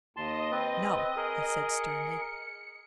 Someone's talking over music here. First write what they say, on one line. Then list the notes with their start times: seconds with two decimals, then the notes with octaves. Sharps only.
"No," I said sternly.
0.17 D#2 D#5 A5 C6
0.52 C4 B4
1.16 G#4 A#4
1.66 C#7